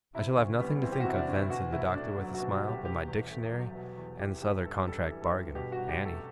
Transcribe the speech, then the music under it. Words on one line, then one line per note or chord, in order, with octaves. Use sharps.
'I shall have nothing to think of then,' said the Doctor, with a smile, 'but my Dictionary; and this other contract-bargain--Annie.'
C3 E4
D2
G3 B3
E3 C4
G4
F#4
C3 E4
D4
D2
E4
B2 F#4
C2 E4
A3 D4
F#3
F#4
B2
F#4
C2
G4
B2 G4
E2
A3
F#3
B2
E2
E3 G4
G2 G4
G2 A4
G3 A4
A4
E3
A4
G2
B2 G4
F#4
C2
G4
A3 A4